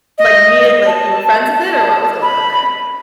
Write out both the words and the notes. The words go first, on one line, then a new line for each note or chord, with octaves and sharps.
like, meet it like you were friends with it, or what was going on there?
D#5
A5
A5
B5